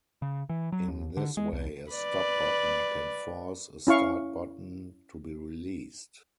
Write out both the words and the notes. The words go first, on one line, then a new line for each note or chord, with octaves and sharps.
In this way, a stop button can "force" a start button to be released.
C#3
E3
F#3
D#2
D3
G#3
C2
B4 D5
C#4 E4 F5 C#6